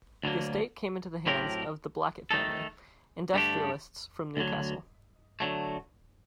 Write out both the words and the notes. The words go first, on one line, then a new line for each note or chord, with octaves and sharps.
The estate came into the hands of the Blackett family, industrialists from Newcastle.
D2 D3 F#3 A#3
A2 F#3 C4 G4 A#4
D#3 A3 D#4 A4
G2 D3 A3 D4 G4
D2 D3 F#3
D3 F#3 A3